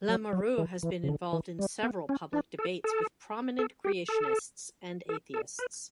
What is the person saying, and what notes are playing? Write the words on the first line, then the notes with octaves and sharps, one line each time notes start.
Lamoureux has been involved in several public debates with prominent creationists and atheists.
F#3
F#3
E3
E3
C#3
D3
E3
G3
B3
C#4
D4
A4
A4
A4
G4
A4
A4
A4
B4